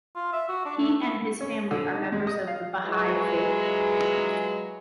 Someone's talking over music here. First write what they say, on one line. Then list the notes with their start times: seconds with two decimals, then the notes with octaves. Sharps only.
He and his family are members of the Baha'i Faith.
0.15 F4
0.32 E5
0.48 F#4
0.65 D4
0.77 A3
1.01 E4
1.41 C#4
1.71 D3
1.94 D#4
2.12 G#3
2.27 D#5
2.47 F5
2.84 F#3 G#3 E4 F4 G#4 B4